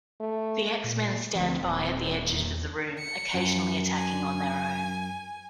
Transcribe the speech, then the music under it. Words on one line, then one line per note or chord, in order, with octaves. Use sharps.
The X-Men stand-by at the edges of the room, occasionally attacking on their own.
A3
A#2
D2 F3 C4
D#1
E2
C#7
F#2
G#5